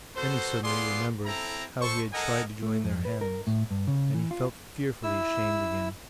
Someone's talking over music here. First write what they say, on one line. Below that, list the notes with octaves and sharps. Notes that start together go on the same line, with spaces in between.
Then he suddenly remembered how he had tried to join their hands, and he felt fearfully ashamed again.
B3 F#4 A4 C5
B3 F4 G#4 D5 C6
C4 E4 A4 A#5
A4 C5 C#6
A4 A#4 D#5 F#5 G#5 A#5
A3
F2
B4
A#4
A2
G2
C#3
E3
F4
E4 E6